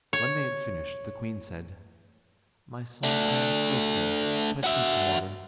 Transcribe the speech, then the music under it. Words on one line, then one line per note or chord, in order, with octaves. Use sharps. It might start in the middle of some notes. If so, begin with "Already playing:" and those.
When they had finished the queen said: 'My son, I am thirsty; fetch me some water.'
C#5
A3 D4
F#4 E5